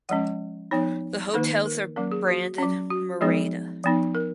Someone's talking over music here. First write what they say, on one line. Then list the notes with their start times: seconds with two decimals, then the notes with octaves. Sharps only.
The hotels are branded Mirada.
0.09 F3 G#3 C#4 F#5
0.71 F3 B3 D#4 C#5
1.34 D#3 A#3 D#4 B4
1.66 A#4
1.96 F#3 A#3 C#4 A#4
2.12 G#4
2.28 F#4
2.58 F#3 C#4
2.90 F#4
3.21 F3 G#3 B3 D#4 G#4
3.84 F3 B3 D#4
4.15 A#4